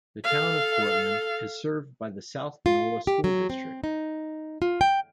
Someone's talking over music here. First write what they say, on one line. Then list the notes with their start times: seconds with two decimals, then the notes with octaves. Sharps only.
The Town of Courtland is served by the South Panola School District.
0.24 A4 F5
2.66 F4
3.07 G4
3.24 F#3
3.50 C4
3.84 D#4
4.62 F4
4.81 G5